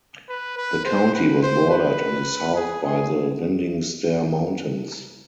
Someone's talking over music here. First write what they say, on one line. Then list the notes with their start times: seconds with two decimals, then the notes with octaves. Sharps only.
The county was bordered on the south by the Winding Stair Mountains.
0.29 B4
0.58 B4
0.85 C5
1.14 B4
1.43 C5
1.71 B4
2.56 G#4
2.83 G#4